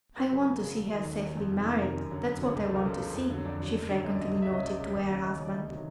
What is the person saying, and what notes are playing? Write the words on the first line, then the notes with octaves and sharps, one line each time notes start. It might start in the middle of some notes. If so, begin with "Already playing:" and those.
"I want to see her safely married--that's what I want to see," she frequently noted to her husband.
F#2 B4
C#3 F#3 A#4
F#2 A#4
C#3 F#3 G#4
D#2 A4
D#3 F#3 A4
D#2
D#3 F#3
F2
C3 D#3
F2 A#4
C3 D#3 A#4
F#2
D3 F#3
F#2
D3 F#3
C#2 G#4
A4
C#3 F3 A#4
C#2 A4
C#3 F3
F2
D3 F#3
F2 D5
D3 F#3
F#2
D3 F#3
F#2 D#5
D5
D3 F#3 D#5
C#2
E5
C#3 F#3 D#5
C#2 D5
C#3 F#3
D#2
C#3 F#3
D#2 D#5
C#3 F#3 C#5
D5
D2 D#5
C3 D#3 F#3